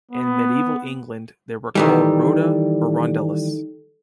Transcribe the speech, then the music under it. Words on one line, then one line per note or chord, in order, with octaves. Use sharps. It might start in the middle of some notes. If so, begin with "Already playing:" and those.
In medieval England, they were called rota or rondellus.
B3
D#3 E3 G3 D#4 A4